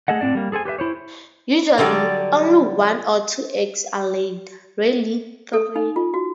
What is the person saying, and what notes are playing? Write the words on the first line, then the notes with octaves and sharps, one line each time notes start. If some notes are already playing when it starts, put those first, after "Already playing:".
Usually, only one or two eggs are laid, rarely three.
A3 G#4 A4 D#5 F#5
A2 C4 D4 D5
G3 A#3
G#4 A4 C5 G#5
G4 B4 C5 E5
E4 C5 C#5
D3 F#3 G3 D5
A4
D#4
F4
F#4